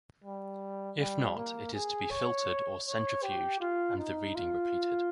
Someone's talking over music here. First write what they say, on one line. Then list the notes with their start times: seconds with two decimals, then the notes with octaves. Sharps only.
If not, it is to be filtered or centrifuged and the reading repeated.
0.24 G3
0.99 G3
1.36 A#3
1.74 G#4
2.11 C#5
2.86 C#5
3.23 G4
3.61 F4
3.98 D#4
4.35 F4